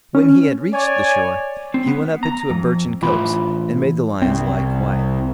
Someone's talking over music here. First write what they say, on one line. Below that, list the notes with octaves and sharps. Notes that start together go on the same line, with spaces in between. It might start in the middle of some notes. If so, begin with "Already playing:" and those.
When he had reached the shore he went up into a birchen copse, and made the lions lie quiet.
C#4
C#5 D5 G#5
C4
B3
A#5
F2
A2 E3 F4 B5
C2 C4